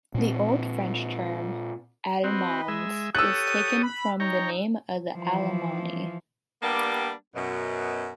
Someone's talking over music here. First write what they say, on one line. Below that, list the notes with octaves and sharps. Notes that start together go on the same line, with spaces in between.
The Old French term "alemans" is taken from the name of the Alamanni.
A#2 C4
C4 F#4 B4 D#5 B5
G#3 E5
G4 A4 C#5 D#6 E6 F#6
B5
D#4 C#5 G5 A#5
E3 F3
G3 A#3 B3 D4 G4
F#2 B2